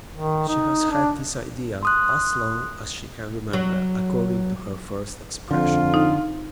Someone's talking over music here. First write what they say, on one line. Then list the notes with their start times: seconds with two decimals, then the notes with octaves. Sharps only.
She has had this idea "as long as she can remember," according to her first expression.
0.15 D#3
0.48 D#4
0.91 D4
1.83 C6 D#6 F#6
3.53 F#3
5.51 F2 D3 F4
5.94 D#4